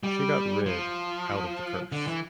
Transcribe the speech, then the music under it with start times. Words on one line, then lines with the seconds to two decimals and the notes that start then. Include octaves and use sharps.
She got rid out of the curse.
0.03 G3
0.66 F3
1.92 D3
2.07 E3